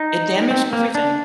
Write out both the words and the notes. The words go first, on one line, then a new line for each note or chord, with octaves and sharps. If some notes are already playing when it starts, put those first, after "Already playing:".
it damaged everything.
Already playing: D#4
C4
A#3
D4